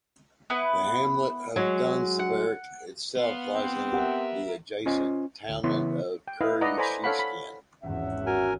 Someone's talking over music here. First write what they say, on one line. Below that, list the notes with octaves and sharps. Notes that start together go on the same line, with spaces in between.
The hamlet of Dunseverick itself lies in the adjacent townland of Currysheskin.
B3 E4 B4
F#3 G#3 C#5
F#5
B3 F5 C6
C4
G4 A#4 E5 F#5
C#4 F4 C5 D#5 G#5
D2
C#3 E3 B3 E4 C#5 C6
G5
E4 B4 D#5 F5
B4 D5 D#5 F#5 A#5
A4 C5 D5 G#5 A#5 B5
A4 C#5 F5 F#5 B5
B5
G#1 E2 C#4 E5 F#5
F#4 A#4 G#5